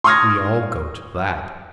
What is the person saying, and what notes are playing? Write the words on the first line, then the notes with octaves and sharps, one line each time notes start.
We all go to that.
C6 C#6 D#6 F6 G#6 A#6